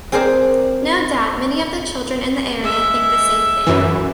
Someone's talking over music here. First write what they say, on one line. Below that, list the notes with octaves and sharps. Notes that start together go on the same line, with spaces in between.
No doubt many of the children in the area think the same thing.
C4 G#4 A#4 C5 D5
G#3 E5
F#2 E3